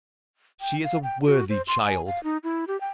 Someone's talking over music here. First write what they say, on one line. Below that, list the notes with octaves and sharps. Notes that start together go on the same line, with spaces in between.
She is a worthy child.
G5
F5
G5
F#4
C5
C6
G#5
F5
D#4
E4
G4
G5